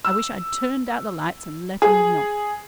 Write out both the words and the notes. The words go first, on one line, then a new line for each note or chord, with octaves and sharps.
I wish I'd turned out the lights and let 'em knock.
E6
G#4